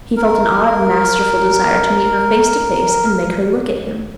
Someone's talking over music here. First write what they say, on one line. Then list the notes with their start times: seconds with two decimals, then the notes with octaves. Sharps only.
He felt an odd masterful desire to meet her face to face and make her look at him.
0.17 A#4